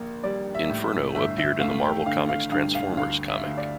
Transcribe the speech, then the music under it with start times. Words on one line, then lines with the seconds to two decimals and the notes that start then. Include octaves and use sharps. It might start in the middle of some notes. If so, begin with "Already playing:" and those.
Inferno appeared in the Marvel Comics Transformers comic.
Already playing: A#1 A#3
0.23 G3 D5
0.55 E5
0.70 A2
1.15 G1 E5
1.38 E5
1.60 A3 F5
1.83 G5
2.06 D3 F5
2.29 F5
2.52 G2 F5
2.75 F5
2.97 D2 F5
3.28 E5
3.43 D2
3.57 D5